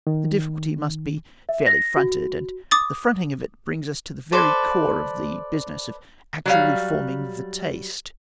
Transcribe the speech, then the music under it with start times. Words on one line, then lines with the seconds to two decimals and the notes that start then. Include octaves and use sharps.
The difficulty must be fairly fronted, and the fronting of it brings us to the very core of the business of actually forming the taste.
0.07 D#3
1.49 E5
1.67 A#6
1.97 F#4
2.71 D6 D#6 A6
4.32 A4 B4 C5 D5
6.46 F#3 G3 F5